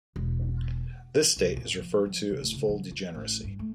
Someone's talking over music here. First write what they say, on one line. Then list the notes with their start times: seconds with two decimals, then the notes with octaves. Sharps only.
This state is referred to as full degeneracy.
0.16 E1
1.36 C2
1.56 A#2
1.80 F3
2.06 F3
2.30 C#3
2.41 D1
2.54 C#3
2.69 F3
2.91 F4
3.14 A1
3.44 G2
3.59 A3